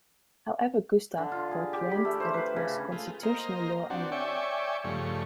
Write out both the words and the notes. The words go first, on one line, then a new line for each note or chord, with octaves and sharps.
However Gustav proclaimed that it was constitutional law anyway.
D3
F4
G#4
G4
B5
A3
C5
B4
C#3
A3 F4 G#4
A#3 C5 D#5 A#5
C4 D4 F#4
C#5 D5 E5 G5 G#5 C#6
G2 C#3 F3 A3 C#6